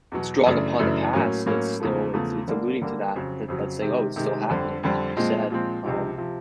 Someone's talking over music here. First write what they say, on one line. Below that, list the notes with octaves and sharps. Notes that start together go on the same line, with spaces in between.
it's drawing upon the past, and it's still, it's it's alluding to that that's saying, "Oh, it's still happening like you just said," um
E2 B2 F#3
F#2 C#3 E3 A3 D4
F#2 C#3 E3 A3 D4
A2 F#3 A#3 C#4
A2 F#3 A#3 C#4
E2 C#3 F3 A3
E2 C#3 F3 A3
D3 G3 A#3
D3 G3 A#3
F2 C#3 F#3
F2 C#3 F#3
C3 D#3 G#3
C3 D#3 G#3
F2 D3 G3
F2 D3 G3
A#2 F3 G#3 C4
A#2 F3 G#3 C4
C#2 C3 F3
C3 F3